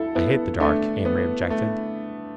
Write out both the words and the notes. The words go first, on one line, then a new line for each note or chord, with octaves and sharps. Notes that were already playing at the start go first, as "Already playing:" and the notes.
"I hate the dark," Amory objected.
Already playing: D2 D3 E4 A4
B3 E4
A3 D4
B3
A3